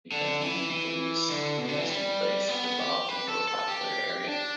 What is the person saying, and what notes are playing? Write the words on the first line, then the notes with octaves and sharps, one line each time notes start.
Because many people used the resting place, it evolved into a popular area.
D3
E3
E3
D3
B2
D3
E3
G3
B3
G4
B4
A4
A4
G4
D4